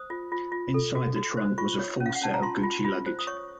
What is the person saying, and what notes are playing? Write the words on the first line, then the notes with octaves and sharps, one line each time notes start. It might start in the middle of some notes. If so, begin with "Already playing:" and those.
Inside the trunk was a full set of Gucci luggage.
Already playing: C5 D#6
F4
F4
F4
A4
F#4
F#4
C5
F4 C#6
C#5
C#4
F5
F#5
C#4 A5
A#5
F4 C6
F4
F4
C5
D#6
C#5 C#6